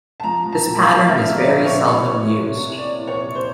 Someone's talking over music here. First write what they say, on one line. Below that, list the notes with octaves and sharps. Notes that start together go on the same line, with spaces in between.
This pattern is very seldom used.
A5
F3 A#5
F3
A5
A#2
F5
A#2
F5
F3 E5
F3
D5
A#2
C#5
A#2
E3
E3
C3
C3
E3 D5
E3
C#5
C3
C5